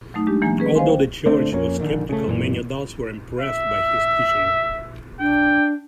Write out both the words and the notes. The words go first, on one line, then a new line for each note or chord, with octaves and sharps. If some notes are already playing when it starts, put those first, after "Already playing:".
Although the Church was skeptical, many adults were impressed by his teaching.
F#3 A3 D#4
G#3 D4 G4
E3 F#3 A#3 G#5
C#4 G#4 B4
C5 D#5 F5 G#5 C6
G5
D3 A3 C4 D4
F2 A#3 C#4
A#1 D3 D#3
C#3 A3
F#2 A#2 E3
E5
D4 G5